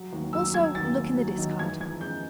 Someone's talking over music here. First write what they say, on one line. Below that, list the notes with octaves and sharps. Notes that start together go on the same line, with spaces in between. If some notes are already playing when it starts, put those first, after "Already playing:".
Also look in the discard.
Already playing: F#3
D#2
F#3 E6
F#3 G#6
D#2 A6
D#2
F#3
D#3
E2 G#6
F3 G#6
C#3 G6